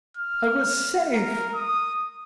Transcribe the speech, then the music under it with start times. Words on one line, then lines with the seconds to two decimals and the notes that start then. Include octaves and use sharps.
I was safe.
0.17 F6
1.13 A#4
1.55 D#6